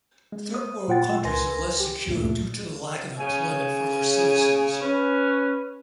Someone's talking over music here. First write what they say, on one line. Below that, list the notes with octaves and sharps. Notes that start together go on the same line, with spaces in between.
Third world countries are less secure due to lack of employment for their citizens.
G#3
C5 D#6
A#2 F4 F#5 G5 A6
C#2 A#4 B4 G#5 C6 A#6
G4
D2 G2 A#2 A3
C#3 G#5
C#4 B4